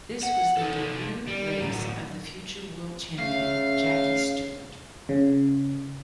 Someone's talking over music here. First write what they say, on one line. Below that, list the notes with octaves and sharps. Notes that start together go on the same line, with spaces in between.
This was the debut race of the future world champion Jackie Stewart.
F#5
D#4 A4
G3
A2 F#3
C#3 A3 F5
C#3